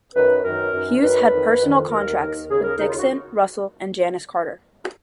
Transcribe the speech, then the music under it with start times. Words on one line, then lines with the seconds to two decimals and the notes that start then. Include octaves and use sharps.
Hughes had personal contracts with Dixon, Russell, and Janis Carter.
0.15 F#2 D#3 B4
0.44 F#2 D#3 A#4
0.73 F#2 D#3
1.03 F#2 D#3 B4
1.32 F2 D#3
1.62 F2 D#3
1.91 D#2 D#3 A#4
2.20 D#2 D#3
2.50 D#2 C#3 G#4
2.64 A#4
2.78 D#2 C#3 D#4
2.89 F4
2.98 F#4